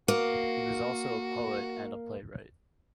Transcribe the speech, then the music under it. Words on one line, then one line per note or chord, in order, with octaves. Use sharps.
He was also a poet and a playwright.
A#3 F#4